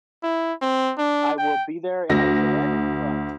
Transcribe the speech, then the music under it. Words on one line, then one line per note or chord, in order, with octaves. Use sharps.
I will be there if I can, but"
E4
C4
D4
G5
D2 A#6